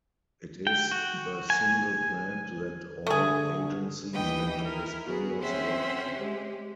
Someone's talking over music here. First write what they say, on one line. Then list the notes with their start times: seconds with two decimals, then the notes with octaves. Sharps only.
It is the single plan that all agencies and responders work to.
0.67 G5
0.91 F#4
1.50 G#5
3.07 D3 A3 G#4
4.14 D#2 E3 B4 D#5 G5 D#6
4.60 E4 A#4
5.04 B3 F#4 G#4
5.40 C4 C#4 C5 E5 F#5
6.19 G#3 G4